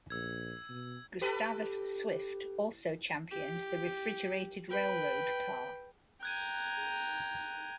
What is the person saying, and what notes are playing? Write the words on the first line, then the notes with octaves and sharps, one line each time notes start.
Gustavus Swift also championed the refrigerated railroad car.
A#1 E6 G#6
B2
G4 A4 B4
G4
B4 G5
G5 A#5 F#6 G#6 D#7